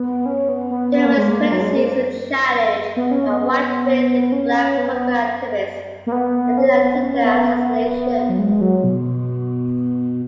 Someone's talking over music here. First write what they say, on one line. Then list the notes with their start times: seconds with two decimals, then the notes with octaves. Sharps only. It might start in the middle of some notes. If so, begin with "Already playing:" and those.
Dilman's presidency is challenged by white racists, black political activists, and an attempted assassination.
Already playing: B3
0.26 C#4
0.49 B3
0.71 B3
0.94 B3
1.06 A#3
1.17 G#3
1.30 A#3
1.52 F#3
1.61 G#3
1.76 A#3
2.96 B3
3.11 C#4
3.27 B3
3.42 B3
4.32 C#4
4.77 B3
4.92 B3
6.07 A#3
6.12 B3
6.58 C#4
6.80 B3
7.03 C#4
7.25 B3
7.47 B3
8.29 F#3
8.39 G#3
8.61 F#3
8.84 B2